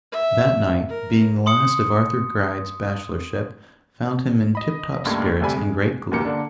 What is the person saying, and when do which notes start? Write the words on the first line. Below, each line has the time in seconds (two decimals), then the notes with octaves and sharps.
That night, being the last of Arthur Gride's bachelorship, found him in tiptop spirits and great glee.
0.12 E5
0.88 A#4
1.46 C6 D#6 C#7
4.55 D#5 B5
5.05 C#2 G2 A3 A#3 C6 G#6
5.40 D2 C3 G3 A4 G#5 B5
5.57 G#3
6.11 C#2 B2 D#3 A#3 G4 C#7
6.25 D3 A#3 D4